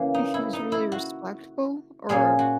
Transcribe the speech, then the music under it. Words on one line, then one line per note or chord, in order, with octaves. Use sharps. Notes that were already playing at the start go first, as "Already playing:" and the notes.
He was really respectful or
Already playing: C#3 E3 A#3
D#4
E4
D#4
E4
F#4
A#2 A#3 C#4 G#4
F#4